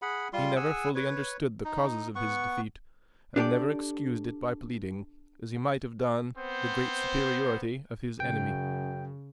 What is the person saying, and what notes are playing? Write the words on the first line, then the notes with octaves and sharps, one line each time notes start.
He never fully understood the causes of his defeat, and never excused it by pleading, as he might have done, the great superiority of his enemy.
G#4 F#5 B5
G3 F4 C6
G#4 F#5 G#5 E6
B4 C#5
D#4
B3 F#5 C#6
D4 G4 A4 D5
B3 C4 C5
F#2 C#3 G5